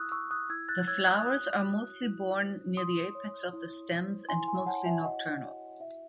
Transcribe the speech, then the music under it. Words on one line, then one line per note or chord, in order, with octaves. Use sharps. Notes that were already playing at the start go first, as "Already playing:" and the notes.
The flowers are mostly borne near the apex of the stems and mostly nocturnal.
Already playing: E4 F#4 C#6 D#6 E6 F#6
E4 C#6 E6
D#6 F#6
E4 E6 G#6
F#6 A6
C#5 E6 G#6
D#6 F#6
F#4 D#6 F#6
F#4
E4
C5
E4 C6 D#6
C#5
E4
C5
E4 G#5 C6
G#5 C6
C#5 F#5 A5
E5 G#5
F#4 D#5 F#5
F#4
E4 E5